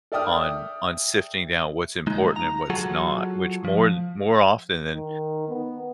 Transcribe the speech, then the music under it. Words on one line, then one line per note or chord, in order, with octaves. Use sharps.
on on sifting down what's important and what's not, which more th more often than,
A4 D5 E5 G5 D#6 F6
G#3 D#4
A#5
F#3 F4 F#4 G#4 A4
F3
D#3
B3